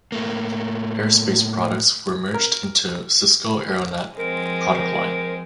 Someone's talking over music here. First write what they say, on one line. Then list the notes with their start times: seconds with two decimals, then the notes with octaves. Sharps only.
Airespace products were merged into Cisco Aironet product line.
0.12 A2 A3 A#3
2.34 A#4
4.17 F3 G#3 C4 A#4